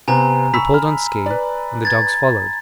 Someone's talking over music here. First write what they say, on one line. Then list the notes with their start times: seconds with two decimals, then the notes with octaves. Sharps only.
We pulled on ski and the dogs followed.
0.08 C3 B3 C4 G#5 A#5
0.54 B5 C#6 E6 B6
0.74 F6
1.26 B4 D5
1.85 G#6 A6